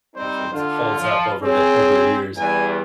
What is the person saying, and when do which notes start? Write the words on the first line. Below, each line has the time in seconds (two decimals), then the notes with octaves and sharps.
holds holds up over the over the years.
0.16 G3 C4 D#4 C5
0.53 D3 F4
0.99 F3
1.42 C4 G#4 C#5
2.37 E2 G3 G#5